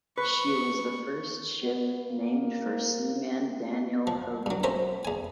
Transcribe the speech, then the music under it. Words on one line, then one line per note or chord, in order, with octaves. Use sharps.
She was the first ship named for Seaman Daniel Hogan.
B4 C#6
B3
A#3
F3
G2 F#3
C#4 A#4 C5 E5
E2 G#5